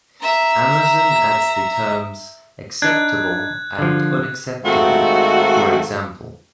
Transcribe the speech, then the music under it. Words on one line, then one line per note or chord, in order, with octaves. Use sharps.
Amazon adds the terms "acceptable" and "unacceptable", for example.
E5 A#5
D4 D#4 F#6 G#6
D3 F3
G#2 D#3 A3 C4 F4 F#4